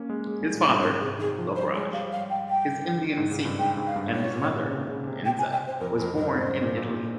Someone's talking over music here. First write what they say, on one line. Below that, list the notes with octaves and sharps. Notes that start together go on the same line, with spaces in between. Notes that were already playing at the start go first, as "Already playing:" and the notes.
His father, Lokraj, is Indian Sikh and his mother, Enza, was born in Italy.
Already playing: A#3 C#4
G#3
G#3
G3
A#2
G2
G#2 A#4
C3 G#4
D#3 G#4
F3
G3 C5
G#3 C#5
G3 F5
F5
G5
G5
D#3
G#2
C#3
G2
G#2 G5
G#2
F5
G2
G#2 C#5
A#2
A#2
C#3
C3
C#3
C3
G5
G#5
G5
C5
F2 A#4
F2 A#4
G2 A#4
G#2 C5
G2
A#2
A#2
A#2